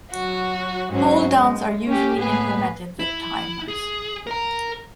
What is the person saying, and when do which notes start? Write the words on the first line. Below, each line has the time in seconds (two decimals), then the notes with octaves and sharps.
Holddowns are usually implemented with timers.
0.11 F#3 F#4
0.90 G#2 F#3 C#4 C5
1.35 G#3
1.86 C#4 G4
2.16 A2 A#3 B3 G#4 B4
2.99 E4
3.68 G#4
4.27 A#4 A#5